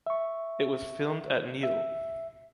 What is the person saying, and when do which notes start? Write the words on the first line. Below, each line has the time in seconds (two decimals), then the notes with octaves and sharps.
It was filmed at Niles.
0.07 E5 C#6
1.63 E5